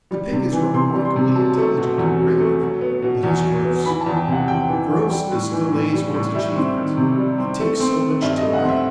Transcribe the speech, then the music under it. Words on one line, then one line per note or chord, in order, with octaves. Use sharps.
The pig is remarkably intelligent and brave,--but he's gross; and grossness delays one's achievement, it takes so much time.
G3
C3
E3
C3 C6
G3
C6
C3
F#3 A5
A3
B2
E2
F#3
A3
F#3
B3
B2
E2
F#3
B3
E3 B5
A5
E2
G5
C3 F#5
E2 G5
E3
E2
G3 G5
A2
E3
A2
G3
A2
G3 E5
C4
D#3
C3
G3
C4
A3
C4
D#3
G2 E5
D#5
A3
F#5
C4
E5